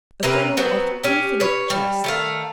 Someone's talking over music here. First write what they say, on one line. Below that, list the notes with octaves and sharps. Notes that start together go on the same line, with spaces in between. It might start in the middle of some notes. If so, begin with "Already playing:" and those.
A fellow of infinite chest.
C3 A#3 A#4 B4
F#3 B3 C4
C#4 G4
B4 C#5
G3
D#3 A3 F5